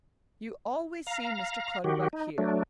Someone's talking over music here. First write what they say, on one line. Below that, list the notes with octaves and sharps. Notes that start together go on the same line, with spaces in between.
You always see Mr. Clutterbuck here.
F5 A#5
D#3 F#4 G4
D#4
F#3 A3 D4